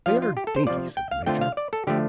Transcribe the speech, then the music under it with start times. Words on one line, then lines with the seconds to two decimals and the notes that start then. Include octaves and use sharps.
"They are dainty," said the Major.
0.06 F3 D4 F4 F5
0.22 F4
0.37 G4
0.47 A4
0.56 C5
0.67 C3 F3 C4 F4 D5
0.97 G5
1.11 F5
1.26 D3 A3 C4 F4 G5
1.41 F5
1.57 D5
1.73 A4
1.87 D3 F3 A3 G4